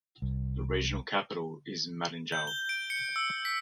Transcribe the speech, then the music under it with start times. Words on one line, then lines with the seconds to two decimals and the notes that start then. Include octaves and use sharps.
The regional capital is Madingou.
0.22 C2
2.32 G6
2.47 G7
2.69 D7
2.90 C#7
3.16 E6
3.45 B6